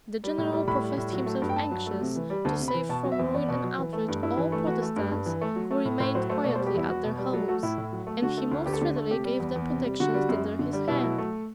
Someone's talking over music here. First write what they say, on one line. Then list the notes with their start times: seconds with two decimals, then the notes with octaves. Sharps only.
The general professed himself anxious to save from ruin and outrage all Protestants who remained quietly at their homes; and he most readily gave them protections tinder his hand.
0.24 G3
0.38 A2
0.53 G3
0.68 A2 B5
0.83 G3
0.98 A2
1.12 F#3
1.26 A3
1.42 G2
1.49 G5
1.56 G2 A5
1.71 F#3
1.86 A3
2.01 C3
2.16 E3
2.30 G3
2.45 D2 A5
2.60 C3
2.68 B5
2.74 E3
2.89 B2 A5
3.04 F#3
3.12 E5
3.19 E2
3.34 E2 D5
3.48 B2
3.64 F#3
3.78 E3
3.93 A3
4.08 G2
4.23 G2 E4
4.37 E3
4.52 A3
4.67 E3 F#4
4.82 A3
4.96 G2
5.12 G2
5.26 E3
5.41 A3
5.56 F#3
5.71 A3
5.85 A2
6.00 A2 C5
6.15 F#3 C5
6.29 A3 C5
6.44 B2 D5
6.56 C5
6.59 G3
6.66 G4
6.74 E2 E4
6.89 E2 F#4
7.04 B2
7.18 G3
7.33 F#3 A4
7.48 A3 F#4
7.63 A2 E4
7.78 A2
7.92 F#3
8.07 A3
8.22 D3 F#4
8.37 A3
8.51 D2
8.66 D2 G4
8.73 A4
8.81 D3 G4
8.96 A3
9.11 C3 G4
9.25 G3
9.40 E2
9.56 E2
9.70 C3
9.84 G3
10.00 D3 F#4
10.14 G3
10.29 F#2
10.44 F#2
10.59 D3
10.73 G3
10.88 B2 E4
11.03 F#3
11.18 A3